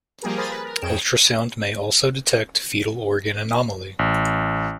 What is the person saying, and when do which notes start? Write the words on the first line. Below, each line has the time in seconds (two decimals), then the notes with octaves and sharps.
Ultrasound may also detect fetal organ anomaly.
0.22 F3 G3 A#3 G4 G#4 A#4
0.37 A#4 C5 G#5 B5 D#6 A6
0.49 B4
0.64 A#4
0.82 F2 G#4 C#5 G5 D7 E7
3.99 A1